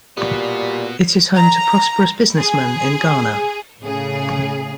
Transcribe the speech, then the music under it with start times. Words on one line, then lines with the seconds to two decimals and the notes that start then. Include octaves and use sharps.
It is home to prosperous business men in Ghana.
0.17 A#2 G3 B3 F#4
1.35 A#5
2.38 G#4
3.81 A2 C#3 G#4